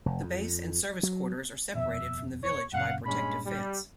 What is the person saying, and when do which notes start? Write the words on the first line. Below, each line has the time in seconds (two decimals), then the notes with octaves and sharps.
The base and Service quarters are separated from the village by a protective fence.
0.06 F1
0.21 F2
1.03 F#3
1.75 D#1 F2 B2 E5
2.43 C#5
2.74 F#2 A#2 C#3 F5 F#5
3.06 G2 A#2 G#3 C#4 B5
3.46 G3